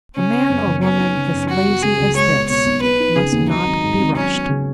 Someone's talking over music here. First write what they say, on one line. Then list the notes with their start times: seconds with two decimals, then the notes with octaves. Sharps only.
A man or woman as lazy as this must not be rushed.
0.16 C#3 C#4
0.33 B3
0.50 F#2
0.66 F#1
0.83 B3 C#4
1.00 D#4
1.16 C#3
1.33 F#2
1.49 F#3 F#4
1.67 B3
1.82 C#3 G#4
2.00 C#2
2.15 G#3 C#5
2.32 B3
2.49 B2 C#5
2.66 B1
2.82 B3 B4
3.00 D#4
3.16 C#3 G#4
3.32 D#2
3.49 F#3 D#4
3.65 G#1
3.83 G#2
3.99 G#1
4.16 F#3 C#4
4.33 B3
4.49 C#3